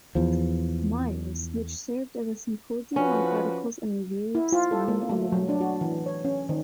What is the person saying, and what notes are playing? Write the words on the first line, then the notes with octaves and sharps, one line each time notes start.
Myers, which served as a symposium on articles and reviews found on the web.
E2 F3
F3 C#4 F#4 B4
E4
F4
A4
A#3
A3
F#3
D4
F#4
E3
C#5
C#4
D#3